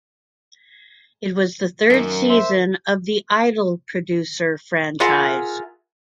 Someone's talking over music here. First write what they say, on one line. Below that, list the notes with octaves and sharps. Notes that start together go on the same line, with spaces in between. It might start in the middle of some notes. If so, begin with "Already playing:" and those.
It was the third season of the "Idol Producer" franchise.
F#2 D#3 A#3
C5 E5
F4 G#4 A#4 E5 F#5